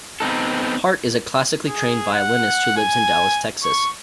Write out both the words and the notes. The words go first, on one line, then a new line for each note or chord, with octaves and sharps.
Hart is a classically trained violinist who lives in Dallas, Texas.
B3 C4 D#4 A4
G#4
F#5
G#5
C#6